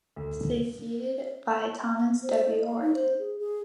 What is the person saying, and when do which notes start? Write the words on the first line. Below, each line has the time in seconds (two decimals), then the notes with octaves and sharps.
He was succeeded by Thomas W. Horton.
0.16 D2
2.23 C5
2.50 D#5
2.65 F5
2.81 D#4
2.94 C5
3.19 G#4
3.39 G#4